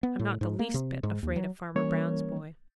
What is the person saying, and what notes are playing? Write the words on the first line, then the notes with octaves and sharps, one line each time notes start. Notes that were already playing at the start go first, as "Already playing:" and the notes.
I'm not the least bit afraid of Farmer Brown's boy.
B3
A2
G#2
A#3
C3
G#2
D#2
F#3
E3 G3 A#3 C#4 A#4 C#5